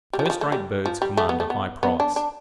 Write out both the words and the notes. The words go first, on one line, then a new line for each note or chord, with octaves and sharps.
First-rate birds command a high price.
G3
F3
G3
F3
A3
G3
F3
G3
A3
B3
A3
B3
B3
D4
D4